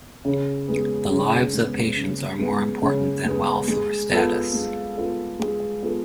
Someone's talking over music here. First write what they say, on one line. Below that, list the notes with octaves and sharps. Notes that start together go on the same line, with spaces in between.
The lives of patients are more important than wealth or status.
C#3
G#3 B3
C#3
G#3 B3
C#3
G#3 B3
C#3
G#3 B3
G#3
B3 F4 A4
G#3
B3 F4 A4
G#3
B3 F4 A4